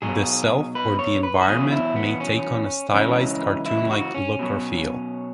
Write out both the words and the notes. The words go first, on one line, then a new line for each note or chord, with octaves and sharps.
The self or the environment may take on a stylized cartoon-like look or feel.
B2 F#3 G#4
B4
C#5
B4
F#4
E2 B2 F#3 G#4
E4
B3
C#4
F#2 C#3 E3 G#3 C#4
E4
F#4
C#4
B2 F#3